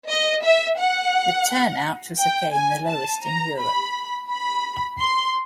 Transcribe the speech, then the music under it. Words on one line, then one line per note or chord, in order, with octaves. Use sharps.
The turnout was again the lowest in Europe.
D#5
E5
F#5
G5
G#5
A5
A#5
B5
B5
C6